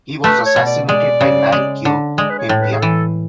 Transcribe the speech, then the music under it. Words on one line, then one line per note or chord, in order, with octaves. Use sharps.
He was assassinated by Nang Keo Phimpha.
A3 B4
C#5
B2
D5
G#3 D5
C#3
G#3
D3
G#3 D5
B4
C#5
A2
B4
G#4
E3 A4